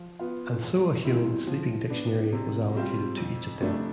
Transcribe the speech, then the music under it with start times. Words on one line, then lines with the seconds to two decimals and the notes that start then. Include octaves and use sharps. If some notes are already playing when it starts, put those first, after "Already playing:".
And so a human "sleeping dictionary" was allocated to each of them.
Already playing: F3
0.19 B3 F4
0.62 E2
1.05 B2 G3 C4 E4
1.47 F3
1.90 B3 D4
2.32 C3
2.75 G3 C4 F4
3.18 F2
3.60 C3 F3 A3 D4